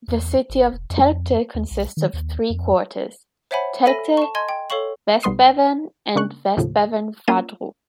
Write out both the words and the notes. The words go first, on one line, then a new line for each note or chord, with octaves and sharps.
The city of Telgte consists of three quarters: Telgte, Westbevern and Westbevern Vadrup.
E2
G#1
E1
F2
D#2
B1
D#3
D#2
F2
C5 C#5 E5 F#5 G#5 B5
A4 E5 G#5 B5 A#6 D#7
A5 C#6
D#5 G#5 C6 G#6
G5
A4 C#5 F5 C#6 F#7
B1 G3 B3 C6 D#6 C7
C#3 A#3 D4 C#6 F#6
D#2 A2 C#3 F3
A#3 C#4 F4 D#7